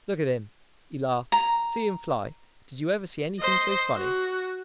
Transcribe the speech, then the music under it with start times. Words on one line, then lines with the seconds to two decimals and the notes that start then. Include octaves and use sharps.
'Look at him,' he laughed; 'see him fly! did you ever see anything so funny?'
1.32 A#5
3.39 C5 D#5
3.96 F#4